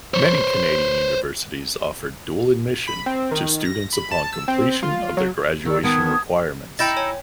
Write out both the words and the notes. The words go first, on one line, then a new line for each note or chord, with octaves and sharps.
Many Canadian universities offer dual admission to students upon completion of their graduation requirements.
C5 C#5
B5
C4
D#3
A#6
B5
A5
E6
C4
F4
F#3
D#3 D5 C#6 E6
D#3 B3 A5 D#6 G#6
D#4 E4 G5 G6 A6
C#5 G#5